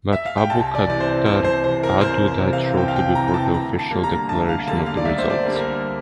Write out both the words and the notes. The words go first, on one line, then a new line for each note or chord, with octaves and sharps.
But Abubakar Audu died shortly before the official declaration of the results.
E5
F5
G5
C2 A5
D5
C3 E3 D5
C5
C2 C5
C5
C3 E3 C5
A#4
C2 C5
C5
C3 E3
F5
C2 G5
F5
G5
C3 E3 A#5
G5
A5
D2 A#5
A5
D3 G3 A#3
A#5
D2 A5
F5
D3 G3 A#3 A5
F5
D5
D2 E5
C5
D5
D3 G3 A#3
A#4